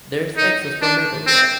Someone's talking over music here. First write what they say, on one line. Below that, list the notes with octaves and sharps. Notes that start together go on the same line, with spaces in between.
There is access from Maple Drive.
D#4
D4
C4